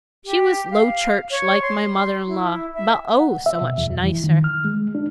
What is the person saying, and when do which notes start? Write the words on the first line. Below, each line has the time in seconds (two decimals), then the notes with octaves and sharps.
She was Low Church, like my mother-in-law; but, oh, so much nicer!
0.25 G4
0.71 F5
1.31 C#5
1.62 C6
2.27 E4
2.74 E5
3.20 F#5
3.46 E5
3.61 B2
3.78 E2
3.91 F2
4.04 E3
4.24 D#3
4.44 F6
4.64 G#3
4.95 D4